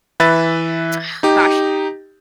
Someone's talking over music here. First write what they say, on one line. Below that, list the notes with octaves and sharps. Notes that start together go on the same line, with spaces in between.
ugh, gosh,
E3 B4 E5 A6
D#4 G4